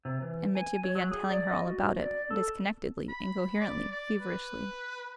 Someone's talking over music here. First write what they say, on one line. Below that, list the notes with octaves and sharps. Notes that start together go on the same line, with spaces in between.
And Mitya began telling her all about it, disconnectedly, incoherently, feverishly.
C3
E3
G#5
C#5
F#3
G#4
D5
D#5
F#4
D5
A4
B5
D5
D5
B4